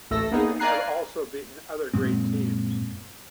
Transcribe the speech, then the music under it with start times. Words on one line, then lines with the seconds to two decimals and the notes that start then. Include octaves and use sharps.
They have also beaten other great teams.
0.11 A1 D2 A3 A4 E6 A#6
0.31 A#3 B3 D#4 G#4
0.60 D5 F5 G#5 A#5 F#6 C7
1.93 F#2 A#2 G#3 C4